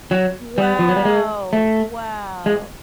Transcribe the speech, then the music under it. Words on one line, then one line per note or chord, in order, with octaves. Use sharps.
Wow. Wow.
F#3
G3
F3
F#3
G3
G#3
A3
G#3